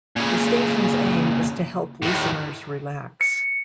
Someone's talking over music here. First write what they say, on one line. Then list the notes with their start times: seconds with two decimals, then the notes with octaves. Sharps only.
The station's aim is to help listeners relax.
0.16 A#2 C#3
2.02 D#2 A2
3.21 C#7